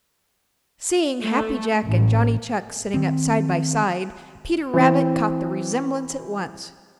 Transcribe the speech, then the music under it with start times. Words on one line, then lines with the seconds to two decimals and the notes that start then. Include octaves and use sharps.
Seeing Happy Jack and Johnny Chuck sitting up side by side, Peter Rabbit caught the resemblance at once.
1.22 A3
1.84 A1
2.94 D#3 C4
4.74 E3 C4